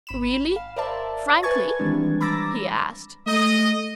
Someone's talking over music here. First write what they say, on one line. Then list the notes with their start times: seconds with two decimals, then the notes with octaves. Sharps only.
"Really frankly?" he asked.
0.07 G#1 B5 E7
0.56 F5
0.76 A#4 C5 D5 E5 A5
1.43 B4 G#5 A5 C#6 G#6 A6
1.79 D#3 E3 G3 G#3 C4 D4
2.21 A#5 B5 D6 E6 A6 A#6
3.26 A3 D#5